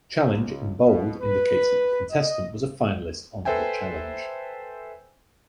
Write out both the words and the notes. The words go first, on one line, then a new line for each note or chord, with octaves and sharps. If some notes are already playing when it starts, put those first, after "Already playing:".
Challenge in bold indicates that the contestant was a finalist on The Challenge.
C#2
B2
B4
D#5
A4 B4 C5 E5 G5 G#5